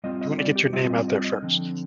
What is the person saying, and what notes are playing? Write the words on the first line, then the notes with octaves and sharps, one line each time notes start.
You wanna get your name out there first
G3 C4 F4 D#5
D#5
D5
G4
G3 C4 F4 D#5
D#5
D#5
D#5
D3 F3 C4